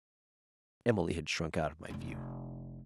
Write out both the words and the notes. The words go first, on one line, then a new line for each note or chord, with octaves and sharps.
Emily had shrunk out of my view.
F1 E4